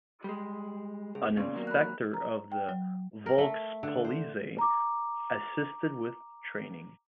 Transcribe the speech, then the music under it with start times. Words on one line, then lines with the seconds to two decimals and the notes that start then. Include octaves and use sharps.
An Inspector of the Volkspolizei assisted with training.
0.24 G3 G#3
1.15 C#2 G#4
1.37 A#2 C#3 B3 D5
1.55 D#2 F#3 A#3
1.67 B5 F#6
2.14 A#5
2.52 G5
2.69 F#3
3.26 A#4
3.38 A3
3.83 D3
4.05 C5
4.59 A#5 D6